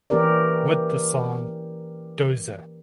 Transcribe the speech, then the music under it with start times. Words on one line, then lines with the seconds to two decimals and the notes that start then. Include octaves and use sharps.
With the song "Dozer".
0.10 E3 A#3 C#4 G4 A#4 D5